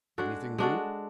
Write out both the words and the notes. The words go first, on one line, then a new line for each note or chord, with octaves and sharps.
"Anything new?"
G#3 D4 F#4 A4
G#3 D4 F#4 A4